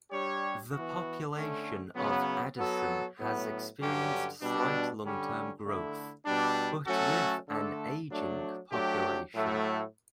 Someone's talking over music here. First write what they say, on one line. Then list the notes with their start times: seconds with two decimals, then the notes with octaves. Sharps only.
The population of Addison has experienced slight long-term growth, but with an aging population.
0.10 G3 D4 G4 C#5
0.71 E3 B3 F#4
1.33 D3 A3 C#4
1.95 C#3 F#3 B3
2.56 F#3 B3 F#4 A4
3.18 A2 F#3 B3
3.79 G2 D3 F#3 C#4 G4
4.40 B2 G3 D4
5.02 D3 G3 C#4
5.63 D3 A3 E4
6.25 B2 G3 D4
6.86 F#3 A3 C#4 F#4 A4
7.48 D3 A3 D4 A4
8.09 F#3 A3 D4
8.71 F#3 A3 D4 G4
9.33 A2 F#3 A3